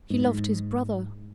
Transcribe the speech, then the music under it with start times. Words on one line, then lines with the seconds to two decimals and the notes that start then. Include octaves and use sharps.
She loved his brother.
0.10 G#2